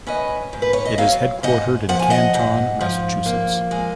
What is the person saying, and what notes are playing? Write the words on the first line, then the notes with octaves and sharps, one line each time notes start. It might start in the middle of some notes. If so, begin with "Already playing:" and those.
It is headquartered in Canton, Massachusetts.
C#4 B4 D#5
G#2
B4
C#5
D#5
F#3 C#5 F5
G#2 D#5 F#5
F3 F#5
G#5
D#5 F#5
G#2
F3
A#3
G#3